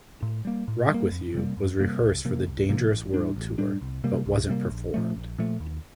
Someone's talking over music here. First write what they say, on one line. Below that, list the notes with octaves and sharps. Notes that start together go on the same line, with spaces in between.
"Rock with You" was rehearsed for the Dangerous World Tour, but wasn't performed.
A2
G3 A#3
A2
G3 A#3
F2
C3 G3 A#3
F2
C3 G3 A#3
C2
C3 F3 A#3
C2
C3 F3 A#3
A1
A2 G3 D4
A1
A2 G3 D4
C2
C3 G3 A#3
C2
C3 G3 A#3
A#1
A#2 F3 A3
A#1
A#2 F3 A3
D#2